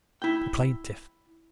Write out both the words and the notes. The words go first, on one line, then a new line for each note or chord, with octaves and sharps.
The plaintiff.
E4 G5